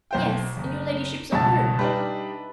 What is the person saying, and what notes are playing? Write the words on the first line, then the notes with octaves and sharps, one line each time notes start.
"Yes, in your ladyship's own room."
B1 C5 G5
F#1
C#2 G2 B2 E5 A5
G3 D4 D#4 B4